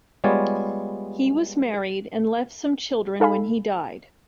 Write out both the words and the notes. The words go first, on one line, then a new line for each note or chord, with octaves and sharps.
He was married and left some children when he died.
G3 G#3 B3 F4 C#5 D5
D#4 A4 F5 G#5 B5